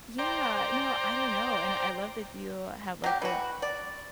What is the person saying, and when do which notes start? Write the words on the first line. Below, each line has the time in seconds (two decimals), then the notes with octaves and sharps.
Yeah, no, I don't know, and I love that you have, like, the
0.18 C5 D5 G5 A#5
3.04 F#3 G4
3.22 E3 F#4
3.62 D5